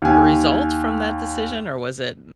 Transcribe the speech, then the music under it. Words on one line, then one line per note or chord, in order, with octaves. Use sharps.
result from that decision or was it
D#2 G#5